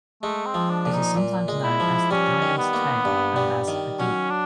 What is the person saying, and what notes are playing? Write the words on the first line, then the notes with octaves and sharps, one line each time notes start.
It is sometimes known as the "Dragon's Tail" and as "Adib".
G#3 A3
C4
F3
D4
A#2
D#4
A#2
G#3
E4
F3
G3 C#4
D#3
B3
A#3
G2
G3
D#3
F#3 C#4
D4